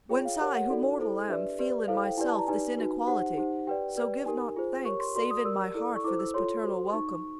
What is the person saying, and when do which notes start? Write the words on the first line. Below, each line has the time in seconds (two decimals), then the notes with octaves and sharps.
Whence I, who mortal am, feel in myself This inequality; so give not thanks, Save in my heart, for this paternal welcome.
0.09 F4 G#4 C#5 G5
0.25 F5
0.40 G4 A#4 C#5 F#5
0.55 F#5
0.70 D#4 F#4 A4 D5
1.00 E4 A4 C5
1.28 D4 G4 B4 D5 E5
1.59 G4 B4 D5
1.88 E4 A4 C5 F5
2.04 G5
2.17 E4 G4 B4 D5 G#5
2.28 A5
2.38 A#5
2.47 D#4 G4 B4 D5 G#5
2.77 D#4 F#4 B4
3.07 D#4 G4 C5 F#5
3.37 D#4 G4 C5
3.67 G4 B4 D5 G5
3.96 G4 B4 D5
4.26 D#4 G4 A#4 G#5
4.56 F4 G#4 C5
4.85 G4 A#4 C#5 C#6
5.00 C6
5.15 F#4 A4 D5 C6
5.31 D#6
5.45 G4 A#4 D5 E6
5.75 E4 A4 D5
5.96 C#6
6.04 E4 A4 C5 D6
6.19 E6
6.34 F4 A4 C#5 C6
6.64 F#4 A4 C5
6.93 D#4 C#6